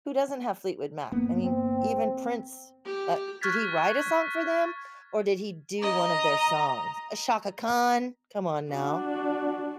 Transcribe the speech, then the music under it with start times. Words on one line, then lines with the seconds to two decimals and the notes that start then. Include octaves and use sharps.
who doesn't have Fleetwood Mac? I mean, even Prince, uh, did he write a song for them, or did he do one of their songs? Uh, Chaka Khan come on now.
1.12 G1 A#3 B3
1.44 C4
2.85 G4
3.41 C#6 F6 F#6 G#6 A6 B6
5.82 D#5 A#5
8.71 D4 F#4